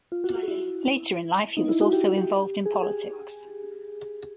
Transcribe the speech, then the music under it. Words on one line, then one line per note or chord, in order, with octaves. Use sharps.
Later in life he was also involved in politics.
F4
F#4
F#4
E4
D#4
E4
F#4
G4
F#4
G4
G#4
G4
G#4